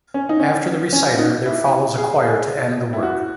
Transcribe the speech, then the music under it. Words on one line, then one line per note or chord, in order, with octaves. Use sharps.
After the reciter, there follows a choir to end the work.
C#4
D#4
C#4
C#4
D#4
E4
G#4
G#4
E4
F#4